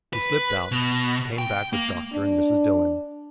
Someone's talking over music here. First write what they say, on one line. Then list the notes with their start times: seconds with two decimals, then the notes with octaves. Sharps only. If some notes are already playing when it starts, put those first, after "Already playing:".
He slipped out, came back with Dr. and Mrs. Dillon.
0.13 B4
0.72 B2
1.38 G5
1.73 A#3
2.13 D4